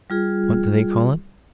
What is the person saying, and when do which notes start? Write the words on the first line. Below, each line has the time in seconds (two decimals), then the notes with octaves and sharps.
What do they call it?
0.10 G3 F4 G#4